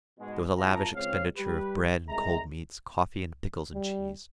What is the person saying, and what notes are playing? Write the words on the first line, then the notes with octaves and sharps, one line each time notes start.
There was a lavish expenditure of bread and cold meats, coffee, and pickles and cheese.
G#2 B2 G#3
G#1 F4 A5 A#5
C#2 C4 C#5 F5
G3 G4 B4
C2 G#3 E5 A#5
G3